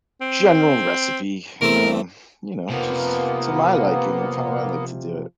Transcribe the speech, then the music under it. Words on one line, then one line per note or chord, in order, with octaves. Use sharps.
general recipe, um, you know, just to my liking of how I like to do it.
C4
E2 A3 C4 A#4
C3 F3 A#3 B3